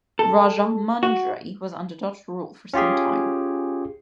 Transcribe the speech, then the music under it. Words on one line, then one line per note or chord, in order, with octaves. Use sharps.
Rajahmundry was under Dutch rule for some time.
A4
F#4
C#4 F4 G4 G#4